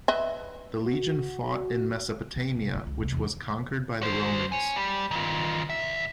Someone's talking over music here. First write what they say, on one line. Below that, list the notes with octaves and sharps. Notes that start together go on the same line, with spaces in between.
The legion fought in Mesopotamia, which was conquered by the Romans.
B4 D#5 E5
F#4
D#3
A1 C3
E4 F4
C#2
C#2 C3
E2 D#4
F#4 C5
C#5 G#5
G3
D#3 F4
C2 E5